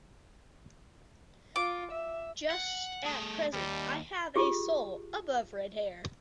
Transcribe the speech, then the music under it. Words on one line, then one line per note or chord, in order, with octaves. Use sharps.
Just at present I have a soul above red hair.
F4 D6
E5
F#5
A3 G#4
D#2 G3
F4 G4 G#4